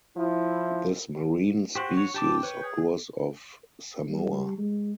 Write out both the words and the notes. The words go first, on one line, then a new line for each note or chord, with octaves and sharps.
This marine species occurs off Samoa.
F3 E4
F#4 G4 C5 F#5
C#5
G4 G5 A5 D6
B4 C#5
G#4
G3
G#3